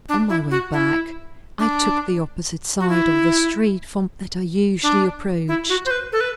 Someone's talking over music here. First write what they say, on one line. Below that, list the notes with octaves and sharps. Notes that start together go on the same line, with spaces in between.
On my way back I took the opposite side of the street from that I usually approached.
D4
E4
F#4
E4
D4
F#4
E4
D4
E4
F#4
C5
B4
A4
B4